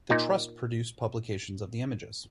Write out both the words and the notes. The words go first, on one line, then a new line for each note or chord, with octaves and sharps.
The trust produce publications of the images.
A#2 D#4